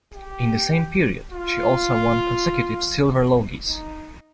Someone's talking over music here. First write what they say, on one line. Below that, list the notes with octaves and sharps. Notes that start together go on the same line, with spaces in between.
In the same period, she also won consecutive Silver Logies.
G4
F4
D#4